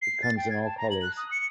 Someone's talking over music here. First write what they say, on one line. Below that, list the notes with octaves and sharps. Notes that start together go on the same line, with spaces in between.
It comes in all colors.
C7
A6
G5
G#6
A5
A#5
F#7
F#6
D#6
C#7